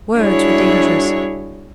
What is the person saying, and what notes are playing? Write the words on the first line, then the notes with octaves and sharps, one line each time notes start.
Words were dangerous.
G3 D4 E4 F#4 G#4 C#5